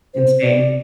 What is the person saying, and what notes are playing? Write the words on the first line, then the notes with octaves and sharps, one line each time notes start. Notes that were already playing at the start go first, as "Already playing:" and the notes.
in Spain?
C5
D5